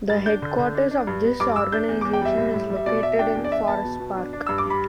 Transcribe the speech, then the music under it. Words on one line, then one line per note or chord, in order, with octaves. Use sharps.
The headquarters of this organization is located in Forest Park.
G2 A6
D4 G6
D3
D3
D4
D4
G2
B3
G2 D6
G2 E6
D4 G6
E2
E2 D6
G5
G3 E5
A2
A2
G3
E5
B2 D5
B2 E5
D4 G5
E2
D5
E2 E5
B3 A5
B2
B2
D4
D4
G2 E6
D6
G3 B5